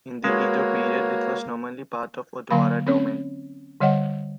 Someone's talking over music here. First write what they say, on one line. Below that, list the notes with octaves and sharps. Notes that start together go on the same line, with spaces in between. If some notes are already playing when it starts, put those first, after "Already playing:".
In the Edo period, it was nominally part of Odawara Domain.
G#3 A#3 F#4 B4 C#5
D3 F#3 A#3 F5 B5
C4 C#4 C#5
D3 G3 C#5 D#5 F#5